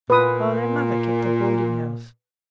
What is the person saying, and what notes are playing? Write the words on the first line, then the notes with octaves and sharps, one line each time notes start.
'Oh! their mother kept a boarding-house.
A#2 B4 D#6